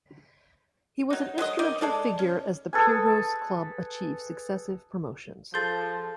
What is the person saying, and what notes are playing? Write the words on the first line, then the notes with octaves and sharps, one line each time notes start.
He was an instrumental figure as the Pyrgos club achieved successive promotions.
F#3 D#4
F#3 G#3 C5 D#5
D#3 D#4 D5 D#5
G#3 A4 D5
C#4
G#4 A4 B4 G#5
F3 G#4 A4 C6 G6 A6